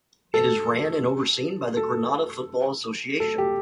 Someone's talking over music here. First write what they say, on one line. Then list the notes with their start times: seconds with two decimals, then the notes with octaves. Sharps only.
It is ran and overseen by the Grenada Football Association.
0.34 A4
1.77 A4
3.20 A4
3.38 G4